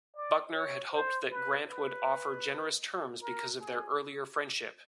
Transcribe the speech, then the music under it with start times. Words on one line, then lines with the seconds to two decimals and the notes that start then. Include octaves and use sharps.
Buckner had hoped that Grant would offer generous terms because of their earlier friendship.
0.16 D5
0.54 C#5
0.92 C5
1.30 B4
1.69 B4
3.22 A#4
3.60 G#4